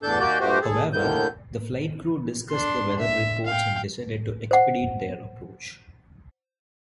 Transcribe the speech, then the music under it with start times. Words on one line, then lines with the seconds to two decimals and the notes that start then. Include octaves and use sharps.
However, the flight crew discussed the weather reports and decided to expedite their approach.
0.03 E2 A2 D4 A4 A5 G6
0.19 D#2 A#3 F#4 G4 D5 G6
0.40 G2 A#2 A3 F#4 G4 C5
0.62 G#4 A4
0.93 D#2 A2 D3 D#3 G6
2.50 D4 C6
2.99 E5
3.46 F5 G5
4.51 C5 F#5